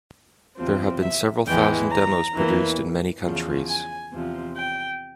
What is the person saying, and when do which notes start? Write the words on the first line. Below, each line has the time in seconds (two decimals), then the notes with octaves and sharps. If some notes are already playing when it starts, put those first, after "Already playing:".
There have been several thousand demos produced in many countries.
0.57 E2 C3 F3 C4
1.01 E5
1.46 E2 E3 G#3 G5
1.90 A#5
2.34 E2 E3 A#3
3.22 E2 C#3 F3
3.67 G#5
4.11 E2 C3 F3
4.56 G5